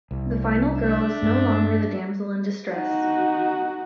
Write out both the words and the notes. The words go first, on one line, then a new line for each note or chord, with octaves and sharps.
The final girl is no longer the damsel in distress.
C2
D4 E5
G2 G#3
D#4 F#4